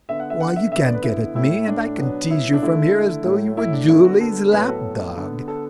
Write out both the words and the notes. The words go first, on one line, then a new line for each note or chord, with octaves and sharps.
Why, you can't get at me, and I can tease you from here as though you were Julie's lapdog.
D3 B3 E5
F#5
E5
F#5
E5
D3 B3 E5
D5
B4
E4
A2 A3 E4
D4
B2 F#3 B3
E4
D4
D3 A3 E4
A2 F#3 A3
E4
D4
D3 B3 E4
F#4
A4
A4
A2 F#3 B3 B4
F#4
A4
D3 B3
A4